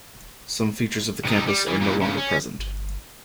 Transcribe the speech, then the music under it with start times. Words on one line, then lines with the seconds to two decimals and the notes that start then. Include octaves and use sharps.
Some features of the campus are no longer present.
1.25 C3 D#4
1.47 G3
1.68 E3
1.81 A#2 E3
2.01 G2 C#3
2.17 C#4
2.59 G1